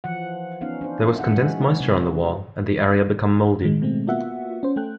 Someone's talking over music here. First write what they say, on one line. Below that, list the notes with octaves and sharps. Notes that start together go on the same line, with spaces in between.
There was condensed moisture on the wall and the area become mouldy.
E3 F3 F#5
B3 C#4 D#4 F5
D4 C5
E5 F#5
E3 F#3 G#3 C#4 D#4
C3
A2 D#3 G#3
B2 G#3 A3 C4
A#3 B3 F4 F#4 E5 F#5
C#4 C5
A3 A4 G5 F#6